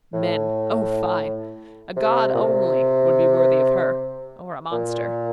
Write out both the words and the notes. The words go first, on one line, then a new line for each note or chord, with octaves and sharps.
Men! oh, fie! a god only would be worthy of her, or a monster.
A2
C3
A#2
C3
A#2